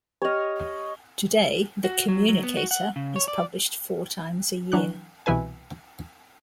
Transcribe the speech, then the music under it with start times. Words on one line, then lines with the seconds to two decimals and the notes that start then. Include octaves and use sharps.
Today, The Communicator is published four times a year.
0.22 G4 C#5 D#5 F6
1.84 F#4
2.08 F#3
2.28 F#3
2.43 B3
2.57 F#4
2.71 F#5
2.96 C#3
3.16 C#5
3.28 D5
4.72 E3 F#3 D4 C#6 F#6
5.26 C2 B2 E3 E4 B4 G#5